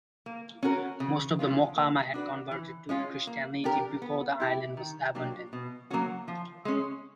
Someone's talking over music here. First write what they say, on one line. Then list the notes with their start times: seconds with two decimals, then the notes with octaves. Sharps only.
Most of the Mocama had converted to Christianity before the island was abandoned.
0.26 A#3
0.63 C#4 F#4 A#4
1.00 C#3
1.39 E3 G#3 C#4 F4
1.76 A#3
2.14 D4 F#4 B4 D5
2.51 E3
2.89 G#3 C#4 F4
3.27 A#3
3.64 D4 G4 A#4
4.02 B3
4.40 E4 G4
4.77 D#3
5.15 F#3 A#3 D4 G4
5.53 B2
5.90 F#3 A#3 C#4 F#4
6.28 F3
6.65 G#3 C#4